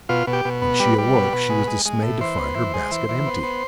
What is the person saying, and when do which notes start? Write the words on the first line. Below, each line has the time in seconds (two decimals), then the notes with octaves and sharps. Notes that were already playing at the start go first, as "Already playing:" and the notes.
When she awoke she was dismayed to find her basket empty.
0.09 B2 F4
0.27 B2
0.33 G4
0.45 B2
0.62 B3
0.80 G3 B4
0.98 G3
1.16 B2
1.33 B2
1.50 G#3
1.67 G#3
1.86 G#3
2.03 A2
2.21 E3 C5
2.38 B3
2.55 E3
2.74 G#3
2.91 E3
3.09 E3
3.26 B3
3.43 B3